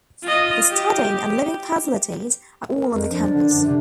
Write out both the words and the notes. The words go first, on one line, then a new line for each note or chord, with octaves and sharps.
The studying and living facilities are all on the campus.
F4 D#5
G4
A#4
F2
F3 D4
D3
F#2
C3